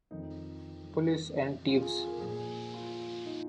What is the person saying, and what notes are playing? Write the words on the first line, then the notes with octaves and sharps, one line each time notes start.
"Police and Thieves".
F2 D#3 D#4
F4
G#4
A#4
A#2 F3 G#4
F4
D#4